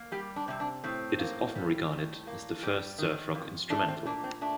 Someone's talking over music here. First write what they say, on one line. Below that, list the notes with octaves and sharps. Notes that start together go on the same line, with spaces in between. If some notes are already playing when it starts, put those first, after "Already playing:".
It is often regarded as the first surf rock instrumental.
Already playing: A#3
G3 G4
D4
C3 C4
D4
A2 C4
A#3
G3
A2
A#3
G3
D#3
F2
A3 D4
C4
A#2 D4
C4
A3 D4